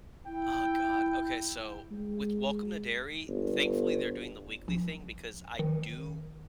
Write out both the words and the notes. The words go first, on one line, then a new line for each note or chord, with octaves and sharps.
Ah, god. Okay, so, with Welcome to Derry, thankfully, they’re doing the weekly thing because I do
E4 G5
G#3
G1
A#1
D#3